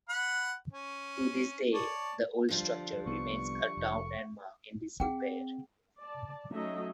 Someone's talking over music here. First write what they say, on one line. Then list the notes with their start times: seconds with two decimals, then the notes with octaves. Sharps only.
To this day, the old structure remains a town landmark in disrepair.
0.09 F#5 B5
0.73 C#4
1.74 C#5 D5 A5
2.49 D3 F3 G3
3.06 C2 B3 C#6
3.77 F1
5.00 C4 G#4 F#5 G5
6.00 D5 A5
6.51 F#3 A3 C#4 D#4 D#5 E5